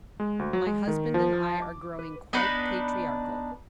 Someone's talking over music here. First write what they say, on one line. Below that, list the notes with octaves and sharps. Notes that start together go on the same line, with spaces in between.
My husband and I are growing quite patriarchal.
G#3
D2
F#3
G#3
D#3
F3
D6
B4
B3 D4 D#4 B4